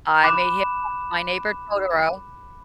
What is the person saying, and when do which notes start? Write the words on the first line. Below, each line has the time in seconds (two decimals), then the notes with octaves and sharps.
I made him watch My Neighbor Totoro.
0.23 B5 D6 F#6 E7